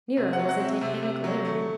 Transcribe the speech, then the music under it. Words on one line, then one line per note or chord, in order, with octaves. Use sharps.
Nero was a titanic lighterman.
C3
F#5
F#3
F#5
C4 E5
C3 E5
C3
F#3
A3